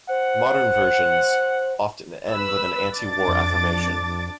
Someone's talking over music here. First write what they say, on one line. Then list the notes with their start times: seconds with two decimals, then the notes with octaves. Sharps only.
Modern versions often end with an anti-war affirmation.
0.09 C5 F#5
2.31 B4 B5 E6
2.96 D4 D6 A6
3.28 F2